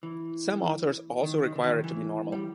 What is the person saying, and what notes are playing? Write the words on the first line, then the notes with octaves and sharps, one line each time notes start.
Some authors also require it to be normal.
E3
D#3
D#3
D3
D#3
E3
G3